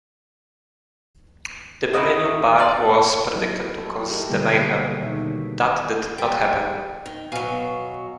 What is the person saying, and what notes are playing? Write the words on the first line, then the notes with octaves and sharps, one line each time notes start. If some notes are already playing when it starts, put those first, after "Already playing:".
The millennium bug was predicted to cause the mayhem. That did not happen.
D#4 E4 F#4 D#5
D#4 F4 D5
F#3 E4 D#5
A4
E4 G4 A4 A#4 D#5
B2 D3 G3 A#3 G#4 B4
B2 D#3 C#5 E5
G3 G5
D#3
B2 F#3 F5 G#5 F6